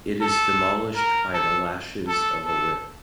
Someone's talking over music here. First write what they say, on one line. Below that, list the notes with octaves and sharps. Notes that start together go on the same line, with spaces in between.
It is demolished by the lashes of a whip.
A4
A#4
A4
A4
A4